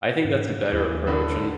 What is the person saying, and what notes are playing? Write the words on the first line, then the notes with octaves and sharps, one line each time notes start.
I think that's a better approach, and
G#2
D#2 E3
A2 D3